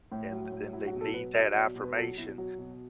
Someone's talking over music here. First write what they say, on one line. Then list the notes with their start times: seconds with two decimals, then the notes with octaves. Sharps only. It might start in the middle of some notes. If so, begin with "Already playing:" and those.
and and they need that affirmation.
0.12 A2
0.32 F#3
0.52 A2
0.73 F#3 E4
0.87 F#4
0.93 B2
1.01 A4
1.14 F#3 B4
1.35 F#3 E5
1.55 B2 D5
1.76 B2
1.83 B4
1.96 F#3 A4
2.17 B2 E4
2.38 F#3
2.58 B2